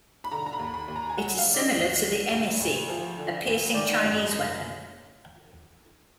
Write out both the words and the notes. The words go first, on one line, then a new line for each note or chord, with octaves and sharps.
It is similar to the emeici, a piercing Chinese weapon.
B5
D3 A#5
A#5
B5
D#2
B5
D#2
A#5
G#5
F#3 F#5
F5
D3
D5
D#5
D#2
D3
D2
D2
F3
D3
D2
D#3 D5
D#5
F#2
D#5
F#2
F5